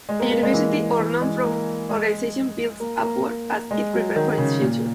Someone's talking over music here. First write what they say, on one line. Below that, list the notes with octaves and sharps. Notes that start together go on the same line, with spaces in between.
A university or non-profit organization builds upward as it prepares for its future.
G#3
A#3
A#3
G#3
E3
E3
G#3
A#3
G#3
A#3
A#3
G#3
F#3
D#3
C#3
A#2